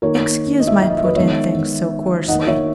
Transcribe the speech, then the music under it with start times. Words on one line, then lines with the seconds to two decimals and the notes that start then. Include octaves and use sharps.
Excuse my putting things so coarsely.
0.02 D#3 A#3 A#4 C#5
0.60 D#5
0.67 E5
0.74 D#5
0.81 E5
0.90 D#5
0.97 E5
1.04 B4 D#5
1.15 D#3 G#3 B3 C#5 E5
2.28 D#3 D#5 F#5
2.34 A#3
2.47 C#5 E5